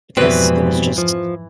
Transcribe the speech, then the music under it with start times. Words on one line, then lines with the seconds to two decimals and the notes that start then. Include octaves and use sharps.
because it was just
0.17 F2 G#2 B2 E3 G3 C4 B4
0.98 F3